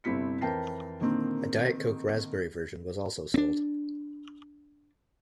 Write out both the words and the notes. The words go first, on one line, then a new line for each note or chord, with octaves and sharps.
A Diet Coke Raspberry version was also sold.
G1 C3 C4 E4 B6 C#7
F2 E3 A#4 G5 A5 C7
A#2 D3 D#3 A#3 C4
C4 D4